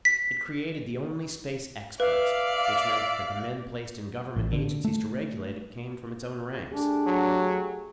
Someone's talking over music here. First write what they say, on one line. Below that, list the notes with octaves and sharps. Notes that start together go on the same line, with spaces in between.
It created the only space experts, which meant that the men placed in government agencies to regulate it came from its own ranks.
B6
B4 D5 E5 F5
A1
D3
A3
A3 D4 G4 G#4
F#3